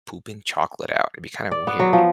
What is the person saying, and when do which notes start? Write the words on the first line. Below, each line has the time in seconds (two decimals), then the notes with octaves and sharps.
pooping chocolate out? It'd be kinda weird.
1.51 D5
1.67 B3
1.80 F#3
1.93 F3